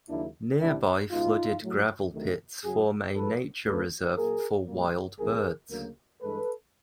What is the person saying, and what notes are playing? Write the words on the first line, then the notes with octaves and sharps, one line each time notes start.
Nearby flooded gravel pits form a nature reserve for wild birds.
D#2 C#3 F#3 A#3 D4 E4
C#2 C3 E3 D4 E4
C#2 B2 G#3 D#4 F4
A2 F#3 A3
D2 C3 D#3 F#3 A3
F#2 C#3 F#3 F#4 G#4
A2 F3 G#3 A4 B4
D2 C#3 F3 A3 A4 B4
A#2 F#3 A#3 G#4 A#4
A#2 G3 A#3
C2 C3 E3 G#3 G#4 A#4
D2 C#3 F#3 A#3
G2 E3 G#3 A4 B4